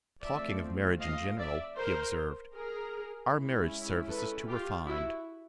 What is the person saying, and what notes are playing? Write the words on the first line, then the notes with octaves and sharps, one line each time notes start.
Talking of marriage in general, he observed, 'Our marriage service is too refined.
F3 A3 C4 D5 E5
D#5 F5
D5 E5
A#4 C5
G#4 A#4
G#3 C#4 E4
A4 B4
F4 G4
E4 F#4